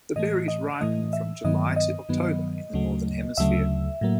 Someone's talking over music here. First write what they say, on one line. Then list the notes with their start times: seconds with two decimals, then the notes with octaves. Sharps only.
The berries ripen from July to October in the Northern Hemisphere.
0.16 A2 E3 A3 D#5
0.48 D#5
0.81 A2 E3 A3 D#5
1.13 E5
1.44 G2 D#3 F#3 B3 D#5
1.76 D#5
2.09 G2 D#3 F#3 B3
2.73 D2 C#3 F#3 A3
3.37 D2 C#3 F#3 A3 E5
4.01 A2 F#3 A#3